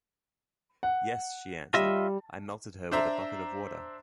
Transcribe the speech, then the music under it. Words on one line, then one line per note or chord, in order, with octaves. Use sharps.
"Yes," she answered, "I melted her with a bucket of water."
F#5
G3 F4 D#5 E5
D4 C5 E5 A#5